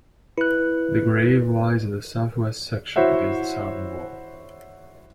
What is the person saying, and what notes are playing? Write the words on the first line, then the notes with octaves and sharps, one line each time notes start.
The grave lies in the south-west section, against the southern wall.
E4 B4 F#6
E4 F#4 C5 C#5 E5 F#5